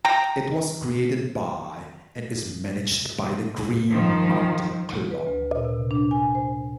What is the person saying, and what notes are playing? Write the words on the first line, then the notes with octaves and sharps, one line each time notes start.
It was created by and is managed by the Green Mountain Club.
G5 A#5
D#3 F3
B4
D2
A#2
C3
D4
G#5
C5